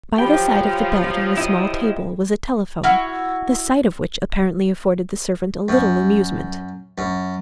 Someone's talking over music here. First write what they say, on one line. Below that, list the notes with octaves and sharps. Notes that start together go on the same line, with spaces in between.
By the side of the bed on a small table was a telephone, the sight of which apparently afforded the servant a little amusement.
F3 F#3 F4 G4 G5 B5
E4 D#5
E4 F#4 F6
F#2
F#2